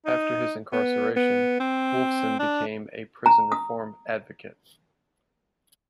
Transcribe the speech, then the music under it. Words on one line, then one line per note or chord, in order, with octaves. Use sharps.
After his incarceration, Wolfson became a prison-reform advocate.
D#4
B3
B3
C4
D4
A#5
D#6